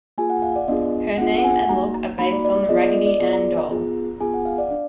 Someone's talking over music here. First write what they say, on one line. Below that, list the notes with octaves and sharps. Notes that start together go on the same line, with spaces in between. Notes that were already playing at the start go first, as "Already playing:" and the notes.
Her name and look are based on the Raggedy Ann doll.
A#3 F4 G#4 G#5
F#5
F5
D5
B3 D4 F4 G#4 D#5
B3 D4 F4 G#4 F#5
F#5
G#5
A#3 D#4 F#4 A#5
A#5
A#3 D#4 F#4 B5
D5
D5
D5
B3 F4 G#4 D#5
D5
D#5
D5
B3 F4 G#4 D5
A#5
A#5
B3 F4 G#4
B3 F4 G#4 G#5
F#5
F5
D5
D4